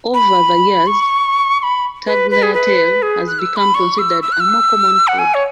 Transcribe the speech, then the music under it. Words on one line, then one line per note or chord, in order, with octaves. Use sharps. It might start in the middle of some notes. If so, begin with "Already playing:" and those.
Over the years, tagliatelle has become considered a more common food.
B5
C#6
C#6
B5
B4
B4
G#4
B4
G#4
F#6
E6
B5
C#6
E6
E6
F#6
E6
F#5
G#5
C#5